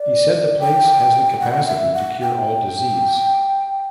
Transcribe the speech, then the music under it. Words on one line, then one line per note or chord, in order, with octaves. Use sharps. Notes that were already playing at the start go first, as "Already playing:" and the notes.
He said the place has the capacity to cure all disease.
Already playing: D5
G5
F#5
E5
F#5
G5